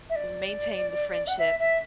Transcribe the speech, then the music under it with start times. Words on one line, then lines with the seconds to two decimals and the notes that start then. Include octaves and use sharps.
maintain the friendship,
0.10 E5
0.16 D5
1.28 F#5
1.39 E5
1.59 E5